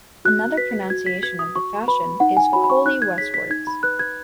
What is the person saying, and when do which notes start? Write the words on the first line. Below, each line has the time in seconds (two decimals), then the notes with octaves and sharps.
Another pronunciation of the fashion is "coley-westwards".
0.25 F#4 F#6
0.57 B4 B6
0.90 F#4 G#6
1.06 B6
1.23 B4 G#6
1.39 D#6
1.55 F#4 C#6
1.88 B4 B5
2.20 D#4 F#5
2.37 G#5
2.52 C#5 B5
2.56 F#4
2.64 B5
2.70 C#6
2.85 D#4 F#6
3.02 G#6
3.18 G#4 C#5 B6
3.34 B6
3.50 D#4 G#6
3.67 B5
3.83 B4 F#6
3.99 G#6